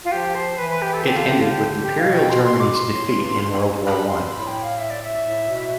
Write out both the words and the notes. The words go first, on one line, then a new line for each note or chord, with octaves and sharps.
It ended with Imperial Germany's defeat in World War One.
F4
F3 G4
C5
E3 B4
B4
G4
A4
D3 G4
F4
G4
F4
G4
G4
B2 F5
G5
C6
C6
D6
C6
A2
G2
B5
C6
A2 B5
G5
F5
E5
D5
E5
A2
B2